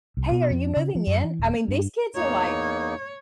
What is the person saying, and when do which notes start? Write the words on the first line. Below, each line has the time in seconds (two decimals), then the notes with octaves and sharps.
"Hey, are you moving in?" I mean, these kids are, like,
0.17 C2
0.32 B2
0.50 F2
0.77 C#3
0.95 F3
1.07 F#2
1.24 E3
1.39 D#1
1.54 A#3
1.68 G2
2.16 E2 A#3 D#4 C#5